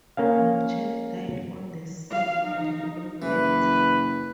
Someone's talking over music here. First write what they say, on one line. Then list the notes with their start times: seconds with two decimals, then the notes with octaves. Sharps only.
Mitchell died on the scene from the impact.
0.17 A#3 C#4 F5
2.11 F5
2.45 D#4
3.22 F#1 E3 B4